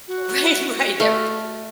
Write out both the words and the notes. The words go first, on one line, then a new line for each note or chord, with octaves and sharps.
Right, right. Their
F#4
A3 F5